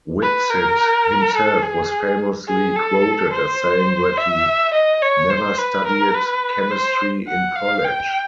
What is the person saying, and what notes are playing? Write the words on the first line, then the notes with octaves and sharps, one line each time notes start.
Whitsitt himself was famously quoted as saying that he "never studied chemistry in college".
B4
A#4
A4
G#4
G#4
A4
C5
E5
D#5
C#5
C5
B4
A#4
B4
C5
F#5
F5
G5